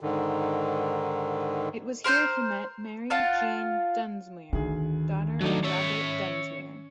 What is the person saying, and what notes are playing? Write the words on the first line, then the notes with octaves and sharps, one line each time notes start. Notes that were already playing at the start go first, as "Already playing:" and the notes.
It was here he met Mary Jean Dunsmuir, daughter of Robert Dunsmuir.
G#2 D3 D#3
A#4 C5 C6 G6
F4 F5 F#5 A5
D2 D#3 G#4
F#3 A3 D4 D#4 F#4
C#4 C#5 E5